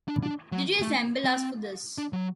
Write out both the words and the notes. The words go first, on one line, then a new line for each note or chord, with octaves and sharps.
Did you assemble us for this?
D4
D4
F#3
A3
C4
D4
F#3